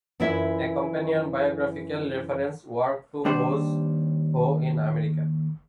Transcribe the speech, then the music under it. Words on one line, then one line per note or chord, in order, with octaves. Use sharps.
A companion biographical reference work to Who's Who in America.
F#2 E3 E4 F4 D5 E5
D#2 G3 D4 C5